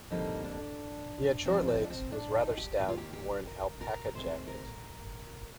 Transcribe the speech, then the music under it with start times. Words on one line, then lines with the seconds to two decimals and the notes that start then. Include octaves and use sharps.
He had short legs, was rather stout, and wore an alpaca jacket.
0.10 F2 D3 G3 A#3 D#4
0.44 D4
1.45 G#2 F3 G#3 C4
1.68 C4
1.84 D4
1.90 C4
2.12 D4
2.35 D#4
2.58 G4
2.79 D#2 D#3 A#3 G4
2.88 F4
2.97 G4
3.13 G4
3.47 A#4
3.81 A#4
4.14 D2 C3 D#3 G#3 C5
4.48 A#4